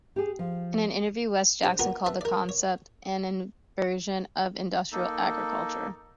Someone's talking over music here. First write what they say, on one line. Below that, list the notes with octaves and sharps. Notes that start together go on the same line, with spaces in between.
In an interview, Wes Jackson called the concept an inversion of industrial agriculture.
G4 G#4
F3
D4 G4 C5
A#3 B3 F4 A#4 B4
B4 E5 A5
A#4 D5
C#5
A#3 D#4 A4